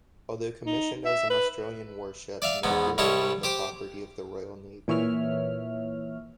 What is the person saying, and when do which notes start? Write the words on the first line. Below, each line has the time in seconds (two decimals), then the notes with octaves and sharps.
Although commissioned as an Australian warship, "Napier" remained the property of the Royal Navy.
0.67 D#4
1.05 E5
1.30 B4
2.42 D5 E5 F5
2.63 E2 G#2 B3
2.98 C2 G3 E4 C#5 D#5 A5
3.43 G4 C5 D6
4.88 A#2 E3 C#5 E5 F6